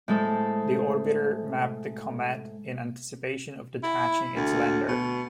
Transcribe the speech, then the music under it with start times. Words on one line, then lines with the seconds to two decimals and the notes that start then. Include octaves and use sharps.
The orbiter mapped the comet in anticipation of detaching its lander.
0.08 A2 G#3 A4 C5
3.83 E4
4.36 D2
4.88 B2